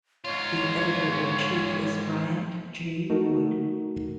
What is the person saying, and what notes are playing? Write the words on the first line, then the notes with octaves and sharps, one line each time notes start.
The editor-in-chief is Bryant G. Wood.
G#2 F4 C#5
A3 D#4 F#4 A#4